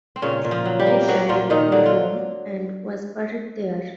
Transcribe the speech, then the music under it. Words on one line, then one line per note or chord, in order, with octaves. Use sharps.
He died in Rome and was buried there.
C4
A#2 C#3 C#4
A#2
F3 F4
F#3
G3 G4
A#3
F#3 A#3 F#4
A#2 F3 F4
A#2 D#3 D#4
D3 F#3 D4
F4